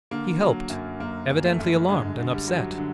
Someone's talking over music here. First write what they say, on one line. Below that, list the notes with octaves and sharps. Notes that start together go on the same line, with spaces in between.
He helped, evidently alarmed and upset.
D3 A#3
F#3
F#2
F#2 A#3
F#2
A3
F#2
D3 G#3
D3
G3
F#3
D3